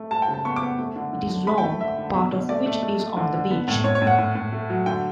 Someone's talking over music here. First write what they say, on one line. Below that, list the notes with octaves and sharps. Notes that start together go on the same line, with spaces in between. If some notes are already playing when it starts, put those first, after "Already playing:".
It is long, part of which is on the beach.
Already playing: A3
G3 A5
G5
C#3
A5
B3 C#6
D6
B3
A3
D3
D3
D3
A3 B5
G5
A3
D3 E5
D3
B2
B2
A3 D5
A3
A3
A3
D3
D3
B3
A2
A2 C#5
C#5
A2
F#5
A2
A2
A3
F#3
D3 G5